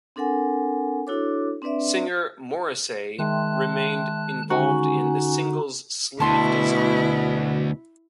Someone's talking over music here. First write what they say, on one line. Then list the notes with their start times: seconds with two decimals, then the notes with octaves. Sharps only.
Singer Morrissey remained involved in the singles' sleeve design.
0.16 C4 D4 A4 A#4 F#5 G#5
1.07 D4 E4 F#4 A4 C#5 D6
1.62 C4 D4 B4 D5 E5
3.19 D#3 G#3 E5 G5 A5 C6 F#6
4.50 D3 C#4 D#4 F#4 G#5
6.20 D2 B2 E4 A5 C6